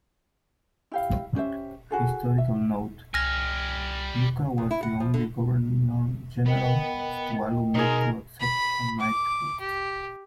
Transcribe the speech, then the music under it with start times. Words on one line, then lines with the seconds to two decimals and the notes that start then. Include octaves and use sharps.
Historical note: Luka was the only Governor-General of Tuvalu not to accept a Knighthood.
0.92 E4 G4 F5
1.35 C#4 G4 C5 E5
1.91 E4 F#4 G#4 A4
2.38 E5
3.14 C2 G3 G#5 F6 A#6
4.58 E2
4.71 E4
4.83 F#5
5.00 F3
5.14 D3
6.46 B3 A#4 D#5 G5
7.75 B2 D#4 G#4 A#4 C6
8.40 B5
9.00 D6
9.60 G4